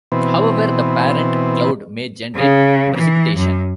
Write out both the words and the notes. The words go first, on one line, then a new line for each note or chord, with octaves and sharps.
However, the parent cloud may generate precipitation.
B2 E3 C4
C#3
E3
F#2